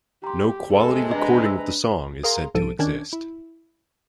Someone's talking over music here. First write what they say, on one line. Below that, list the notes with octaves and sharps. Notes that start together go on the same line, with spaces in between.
No quality recording of the song is said to exist.
G4 A#5 C6
C3 G#3 A4
D4 B4 D#5 A#5
E6
G#4 A#4 F5 A#5 C6
C2 G#2 F3 A4 D7 D#7
D#3 C#4 D4 G#6
E4